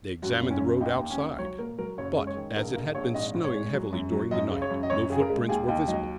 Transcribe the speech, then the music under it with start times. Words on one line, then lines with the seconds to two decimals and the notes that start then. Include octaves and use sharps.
They examined the road outside, but, as it had been snowing heavily during the night, no footprints were visible.
0.22 F#2 F#4
0.41 F#1
0.51 C#4
0.61 F#2
0.81 D#2 D#4
0.99 D#2
1.10 C#4
1.20 D#2
1.39 F#3 C#5
1.59 A#2 A#4
1.78 F#3 A#4
1.98 F#1 C#5
2.17 G#3
2.27 C#5
2.37 D#3
2.57 A#1 A#4
2.75 A#1 A#4
2.95 A#1 C#5
3.14 G#1 D#5
3.34 G#1
3.44 C#5
3.54 G#3
3.73 F#3
3.92 F#2
4.12 F#3
4.31 F#2 D#5
4.51 C#3
4.62 C#5
4.70 F#2
4.83 D#5
4.90 F#2 C#5
5.10 C#3 G#4
5.20 A#4
5.30 G#3
5.49 D#2 G#4
5.68 D#2 D#4
5.88 F#3 D#4